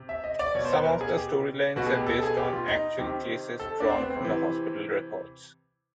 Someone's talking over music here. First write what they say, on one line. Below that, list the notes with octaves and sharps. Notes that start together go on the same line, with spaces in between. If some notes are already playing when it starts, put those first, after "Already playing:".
Some of the storylines are based on actual cases drawn from the hospital records.
Already playing: C3
E5
D#5
D5
B2 C#5
C5
B4
A#4
G#4
G4
B2 F#4
G#4
G4
A4
G#4
G4
F4
D#4
C3 D#3 G4
A4
D4
C4
B3
C4
C3 E3